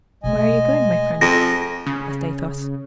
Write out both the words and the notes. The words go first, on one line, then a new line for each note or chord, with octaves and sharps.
"Where are you going, my friend?" asked Athos.
B2 G#3 A3 D#5 G#5
F2 G#4 A#6
C#3